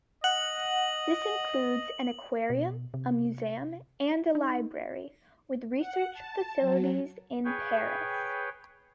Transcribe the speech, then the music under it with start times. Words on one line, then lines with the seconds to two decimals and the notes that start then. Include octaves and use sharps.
This includes an aquarium, a museum, and a library, with research facilities in Paris.
0.24 D#5 F#5 F#7
2.50 B2
2.94 C3
4.35 D#4
5.78 F#5
6.13 A5
6.60 F#3
7.44 G#4 B4 C#5 G5